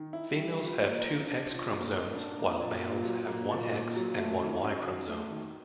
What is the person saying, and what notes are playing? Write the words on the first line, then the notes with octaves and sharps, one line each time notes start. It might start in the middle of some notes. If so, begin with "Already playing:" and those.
Females have two X chromosomes, while males have one X and one Y chromosome.
Already playing: D#3
E4
G3
F4
A#3
A#4
D4
F4
A#3
A#4
D4
A#3
A#2
A#2
F#3
A#3
A#2
A#2
F#3
A3
D#3
C#4
F#3
A3
D#3